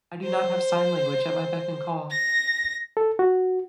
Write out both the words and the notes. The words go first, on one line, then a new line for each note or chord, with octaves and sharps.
I do not have sign language at my beck and call.
C5
A#6
A4
F#4